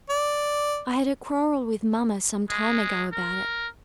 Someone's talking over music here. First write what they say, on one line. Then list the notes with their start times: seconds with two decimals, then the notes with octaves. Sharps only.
I had a quarrel with Mamma some time ago about it.
0.10 D5
2.50 G#3
3.12 A#4